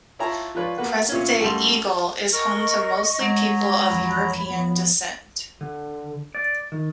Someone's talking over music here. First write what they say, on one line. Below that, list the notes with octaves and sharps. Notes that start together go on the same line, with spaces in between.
Present-day Eagle is home to mostly people of European descent.
E4 F4 C#5 G5 A5 A#5
F3 F4 B4 C#5 D5
A#3 F#4 B4 F#5
A#2 C#4 E4
F#2 G3 A3 C6
A#4 D#5 C#6
F#3 G#3 A#5
F2 E3 C#5 B5
F3 B3
D3
D5
D#3